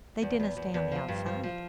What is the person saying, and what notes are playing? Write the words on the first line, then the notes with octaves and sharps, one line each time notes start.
They dinna stay on the outside.
E2
E2
E2
E2
F3
G2
F3
F3